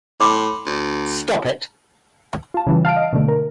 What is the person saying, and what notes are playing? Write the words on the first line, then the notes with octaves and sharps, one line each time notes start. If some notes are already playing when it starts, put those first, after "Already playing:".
Stop it!
A2 B5 C6 D6
D2
F4 A5
C#3 E3 G3
F5 A5 F6 D7
D#5
B2 D3 A3
A#4